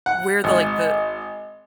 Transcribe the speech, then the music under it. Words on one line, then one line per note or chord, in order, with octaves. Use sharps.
where the, like, the
F#5
G#1